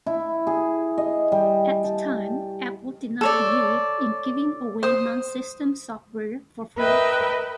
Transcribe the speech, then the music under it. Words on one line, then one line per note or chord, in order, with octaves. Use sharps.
At the time Apple did not believe in giving away non-system software for free.
E4
G#4
D#5
G3
A5
A4 C#5 D5
C5 D#6
A#4 B4 D#5 E5 G5